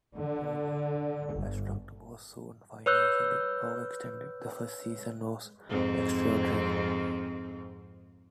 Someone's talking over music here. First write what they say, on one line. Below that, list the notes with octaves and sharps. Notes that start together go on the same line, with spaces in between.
Although Astruc was soon financially overextended, the first season was extraordinary.
D3
G1
B4 C#5 E6 F#6 G6
F2 G#2 C4